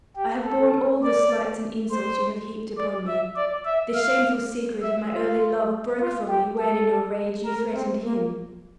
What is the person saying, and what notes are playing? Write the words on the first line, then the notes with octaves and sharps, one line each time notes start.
I have borne all the slights and insults you have heaped upon me. The shameful secret of my early love broke from me when in your rage, you threatened him.
G4
A4
D5
C5
D5
E5
D5
E5
F5
E5
F4
F4
G4
A4
A#4
C4
A#3